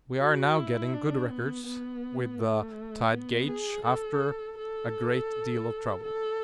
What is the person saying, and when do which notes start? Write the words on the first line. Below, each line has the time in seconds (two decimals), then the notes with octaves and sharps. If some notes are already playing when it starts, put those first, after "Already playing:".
We are now getting good records with the tide gauge after a great deal of trouble.
0.21 F#4
0.57 E4
0.93 D4
1.30 B3
1.67 B3
2.40 A3
3.12 B3
3.49 G#4
3.85 A4
4.58 A4
6.03 A4